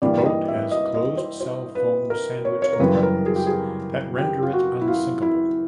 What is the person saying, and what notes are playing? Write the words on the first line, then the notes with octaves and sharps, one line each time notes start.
The boat has closed cell foam sandwich compartments that render it unsinkable.
G2 E3 G3 A#3 D5
D#5
E5
D#5
D#5
C5
C5
B4
A#4
C#5
C#5
A#4
F#2 C#3 E3 G3 B4
A#4
G#4
G4
G#4
G4
F4
F#4
E4
F4
E4